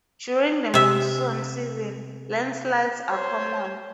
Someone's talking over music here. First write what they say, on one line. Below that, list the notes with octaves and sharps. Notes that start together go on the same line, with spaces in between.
During the monsoon season, landslides are common.
C3 E5
C5 C#5